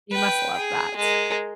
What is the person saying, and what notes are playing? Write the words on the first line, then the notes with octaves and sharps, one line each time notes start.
You must love that.
B4 G5
G#4
G#3 A#4